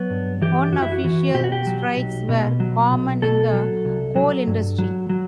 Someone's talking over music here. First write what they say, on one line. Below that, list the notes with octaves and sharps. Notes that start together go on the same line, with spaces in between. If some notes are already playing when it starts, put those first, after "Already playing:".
Unofficial strikes were common in the coal industry.
Already playing: F#3 B3
G2
E3 G4
F#2 F#4
E4
F#4
E3 F#4
B2 G4
F#4
G4
F#3
B1
B2
F#3
B1
B2 A4
F#3
C2
F#3
G2
F#3
F#3